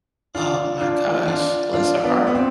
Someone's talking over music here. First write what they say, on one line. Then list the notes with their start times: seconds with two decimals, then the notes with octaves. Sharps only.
Oh, my gosh, bless her heart.
0.35 D4 F4
0.81 D4 F4
1.27 D4 F4
1.73 D4 F4
2.04 B3 D4
2.27 B3
2.35 C4